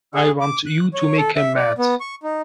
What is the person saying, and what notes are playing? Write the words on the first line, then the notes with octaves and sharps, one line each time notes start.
I want you to make him mad.
G#4
D6
F#6
C#5
A4
E5
D5
B3
C#6
D#4